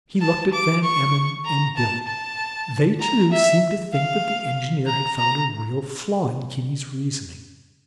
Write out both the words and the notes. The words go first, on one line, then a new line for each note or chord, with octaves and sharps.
He looked at Van Emmon and Billie; they, too, seemed to think that the engineer had found a real flaw in Kinney's reasoning.
A5
D6
C#6
A#5
A5
A5
A#5
E5
F5
A#5
A#5